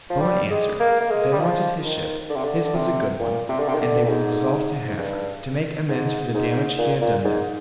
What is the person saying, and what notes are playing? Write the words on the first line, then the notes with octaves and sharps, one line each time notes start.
Bowen answered, "they wanted his ship, his was a good one, and they were resolved to have her, to make amends for the damage he had done them."
F3
G3
G#3
A#3
A#3
G#3
G3
F3
D#3
D3
C3
D3
D3
C3
A#2
C3
D3
C3
D#3
D3
A#2
G#2
G#2
G2
G#2
G#2
A#2
A#2
G#2